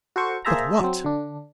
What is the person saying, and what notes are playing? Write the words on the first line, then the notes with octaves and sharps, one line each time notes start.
But what?
F#4 A4 C5 C#6
A#3 G#4 C5 E5 A5 A#5
F#3 C4
D3 D4